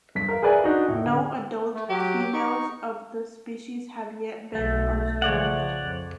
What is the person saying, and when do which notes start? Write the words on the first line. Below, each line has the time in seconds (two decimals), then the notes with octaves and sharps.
No adult females of the species have yet been observed.
0.15 G2 B6
0.28 A#4 F5
0.42 G#4 A#4 B4 D5 E5 G#5
0.64 D4 D#4 F#4
0.88 A2
1.06 D3
1.74 A3
1.90 F#3 G4
2.34 D#4 C#6
4.55 B1 A3
5.22 C#3 F3 C#5 D5 F#5
5.80 F2